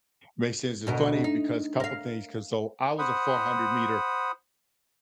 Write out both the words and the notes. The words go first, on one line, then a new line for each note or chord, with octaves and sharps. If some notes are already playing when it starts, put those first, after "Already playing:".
Makes sense. It's funny because- a couple things- 'cause so I was a four-hundred-meter
D2 B2 A#4
D#4
A#4 F5
C5 F#5 B5 D#6